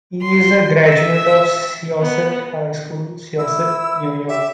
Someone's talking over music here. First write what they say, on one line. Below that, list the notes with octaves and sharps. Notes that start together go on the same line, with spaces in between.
He is a graduate of Syosset High School, Syosset, New York.
C6
E5
B3
E4 E6
G4 E5